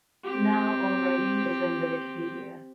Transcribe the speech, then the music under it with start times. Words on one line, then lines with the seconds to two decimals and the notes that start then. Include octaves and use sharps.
Now, all writing is in the Wikipedia.
0.24 C4 G4